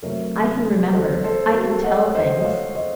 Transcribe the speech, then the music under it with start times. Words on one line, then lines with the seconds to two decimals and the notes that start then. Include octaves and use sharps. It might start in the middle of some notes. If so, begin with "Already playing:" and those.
I can remember; I can tell things!
0.02 C3 F#3 A3 A#4 C#5
0.93 A4 C5
1.24 A4 C5
1.48 A4
1.54 F#4 A#4
1.84 D#5 F#5
2.05 C#5
2.15 C5 D#5
2.39 D#5
2.44 C#5 F5
2.75 C5 D#5